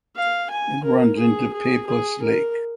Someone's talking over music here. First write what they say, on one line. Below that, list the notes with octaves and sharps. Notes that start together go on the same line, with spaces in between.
It runs into Peipus Lake.
F5
G#5
A#4
G#4
G#4
G#4
A#4